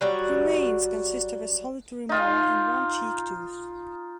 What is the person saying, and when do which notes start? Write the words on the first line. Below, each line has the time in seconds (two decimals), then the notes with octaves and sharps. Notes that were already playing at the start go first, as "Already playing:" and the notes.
Remains consist of a solitary molar and one cheek tooth.
0.01 F#3 G3 F#4
2.09 D#4 F4